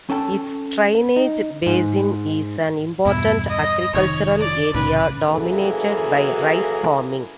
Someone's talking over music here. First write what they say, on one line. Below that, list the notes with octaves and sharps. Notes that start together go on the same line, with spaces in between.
Its drainage basin is an important agricultural area, dominated by rice farming.
C#4 A4 G5 A5
D#4
G#2
E2 G2 B2 E4
D#5
F1 D#3 C#5
D5
C2 A2 C#3 B4
F#2 E3 A#3 F#4 G#4 A4